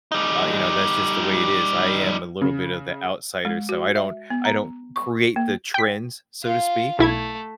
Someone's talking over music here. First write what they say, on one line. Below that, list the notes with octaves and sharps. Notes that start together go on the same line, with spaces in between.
uh, you know, that's just the way it is. I am a little bit of the outsider, so I don't I don't create the trends, so to speak.
G3 D#4
C#3
G#3
F#4
E5
B3
A#5
C#6
A#3
G5 B6
F4 F5
B1 A3 E4 G#6